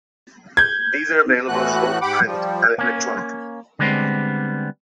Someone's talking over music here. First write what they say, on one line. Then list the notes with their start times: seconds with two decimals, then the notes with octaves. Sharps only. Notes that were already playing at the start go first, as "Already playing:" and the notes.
These are available in both print and electronically.
0.57 G6 G#6
1.48 A2 E3 A3 F#4 F#6
2.01 G#2 G4 F#5 B5 D6
2.25 F3 G3
2.78 A#3 C#4
3.79 D3 G3 G#3 B3 C4